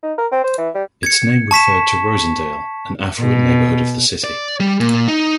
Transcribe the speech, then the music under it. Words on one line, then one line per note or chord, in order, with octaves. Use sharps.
Its name referred to Rosedale, an affluent neighbourhood of the city.
D#4
A#4
C4
C5
E3
G3
G#6 C#7
A5 C#6 B6 E7
B2
D5
G3
A#2
D#4